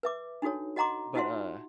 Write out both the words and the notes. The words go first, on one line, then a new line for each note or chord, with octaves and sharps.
But, uh,
B4 E5 D6
D4 D#4 F#4 A4 C#5
F#4 D#5 F#5 A#5 C6 D6
D#4 F4 F#4 E5 F#5 C6